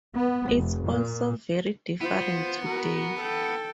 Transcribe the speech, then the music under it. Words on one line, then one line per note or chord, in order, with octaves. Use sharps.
It's all so very different today.
B3
F1
A#2
B3 F4 C5
F#4 A#4
A4 G5